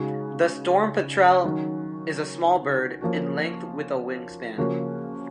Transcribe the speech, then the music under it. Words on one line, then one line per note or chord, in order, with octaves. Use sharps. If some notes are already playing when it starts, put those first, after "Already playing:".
The storm petrel is a small bird, in length with a wingspan.
Already playing: C#3 G#3 D#4 F#4
D#3 F#3 C#4 F#4
F3 A#3 C#4 F#4
C#3 F3 A#3 C#4 F#4